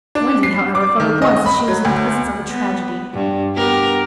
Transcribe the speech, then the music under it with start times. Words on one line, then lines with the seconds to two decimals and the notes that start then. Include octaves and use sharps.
Wendy, however, felt at once that she was in the presence of a tragedy.
0.15 D4
0.43 C7
0.75 D6
1.00 D#3
1.22 D#5
1.46 B5
1.68 F#3
1.85 D2
2.48 B3
3.14 G2
3.55 B3 G4 A#4